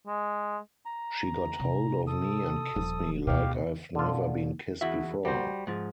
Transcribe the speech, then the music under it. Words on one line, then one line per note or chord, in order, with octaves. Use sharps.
She got hold of me and kissed me like I've never been kissed before.
G#3
A#5
C3
A4 D#6
D#1 F3
D2 B2 G4 F5
B2 D3 F4
E2 E4 F#4 E5
G3 F#4 C5
G#2 F3